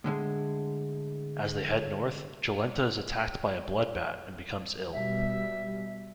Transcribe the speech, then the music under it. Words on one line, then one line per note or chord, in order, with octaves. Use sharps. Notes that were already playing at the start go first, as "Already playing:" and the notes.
As they head north, Jolenta is attacked by a "blood bat" and becomes ill.
A2 D3 G#3
B2 G3 E5